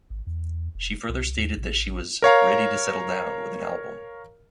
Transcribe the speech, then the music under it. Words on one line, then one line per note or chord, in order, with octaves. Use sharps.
She further stated that she was "ready to settle down with an album".
G#1
E2
F1
C2
D#2
A1
A#4 C#5 F5 A#5